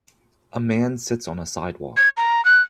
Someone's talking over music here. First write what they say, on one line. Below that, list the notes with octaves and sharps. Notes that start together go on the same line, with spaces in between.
A man sits on a sidewalk.
G#6
A#5
F#6